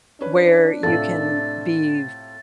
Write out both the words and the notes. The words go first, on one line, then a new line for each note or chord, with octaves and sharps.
where you can be f
C#4 D4 B4
A2 C3 F4 A4 A6